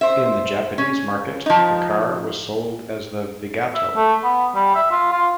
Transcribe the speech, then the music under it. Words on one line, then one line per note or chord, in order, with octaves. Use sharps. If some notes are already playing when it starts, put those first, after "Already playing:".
In the Japanese market, the car was sold as the Vigato.
C5 E5
C#4
F3 D#4
E5
A3
B3
G3
E5
F4
F4